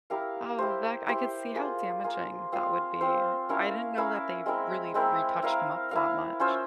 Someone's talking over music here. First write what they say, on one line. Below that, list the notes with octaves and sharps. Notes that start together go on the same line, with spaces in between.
Oh, that, I could see how damaging that would be. I didn't know that they really retouched 'em up that much.
E4 G4 A#4 F5
E4 G4 C5
E4 G4 C5
A#3 F4 G#4
A#3 F4 G#4
C4 F4 C5 F5
C4 F4 C5 F5
C#4 E4 A#4 F5
C#4 E4 A#4 F5
G#3 C4 E4 A#4
G#3 C4 E4 A#4
E4 A#4 F5
E4 A#4 F5
C#4 F4 C5 E5